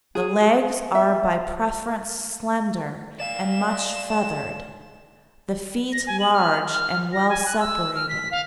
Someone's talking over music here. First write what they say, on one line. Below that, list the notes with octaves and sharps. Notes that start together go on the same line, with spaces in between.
The legs are by preference slender and much feathered, the feet large and well separated.
G#4
E5
D5 F5 E7
A#6
G#5
F#7
F6
F6
A#6
G#5
F#6
E6
F6
B6
F5